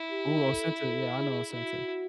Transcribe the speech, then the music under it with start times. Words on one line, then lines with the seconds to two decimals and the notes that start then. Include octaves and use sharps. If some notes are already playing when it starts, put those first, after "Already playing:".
Ooh, ohsxnta, yeah, I know ohsxnta.
Already playing: E4
0.11 G4
0.46 A4
0.82 A4
1.17 G#4
1.52 E4 F#4